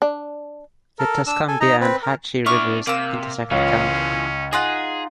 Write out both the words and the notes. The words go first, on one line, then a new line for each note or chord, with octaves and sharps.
The Tuscumbia and Hatchie rivers intersect the county.
D4
A4 A#4
D4 E6
A4 G#5
D#4 D#5 A#5
C4 B4
A#4
B3 D4 E4 C#6 F6
C3 A#3 E6
C#2 E3 G#3 C#4 F4 C#5
D#4 F4 G#4 F#5